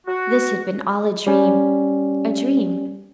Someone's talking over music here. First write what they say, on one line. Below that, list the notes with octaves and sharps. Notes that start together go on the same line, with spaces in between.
This had been all a dream--a dream.
F#4
G3 C#4